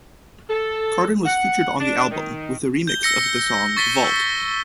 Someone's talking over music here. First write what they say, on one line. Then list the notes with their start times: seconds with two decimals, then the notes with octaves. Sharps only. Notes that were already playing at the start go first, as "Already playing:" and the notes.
Kardon was featured on the album with his remix of the song "Vault".
0.49 A4
1.26 F#5
1.80 D4
2.11 D#3
2.87 G6 G7
3.03 E6 A#6 C#7
3.77 C#6 A6 B6 D#7 G7
4.04 E6